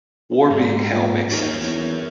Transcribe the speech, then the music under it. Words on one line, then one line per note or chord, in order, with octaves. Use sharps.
War being hell makes sense.
G#2
A#2
D#2 F#4 A#4 C#5
E2